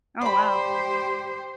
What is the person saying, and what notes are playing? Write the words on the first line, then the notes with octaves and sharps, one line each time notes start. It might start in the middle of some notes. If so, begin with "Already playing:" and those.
Oh wow.
G4 C5 D5 B5